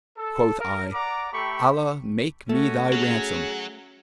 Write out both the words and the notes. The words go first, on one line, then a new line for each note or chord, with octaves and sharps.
Quoth I, 'Allah make me thy ransom!
A4
A#4
D5 F#5 A#5 D6
A3 G4 A4 G5 B5 C#6
A3 C#4 F#4
F#3 G#4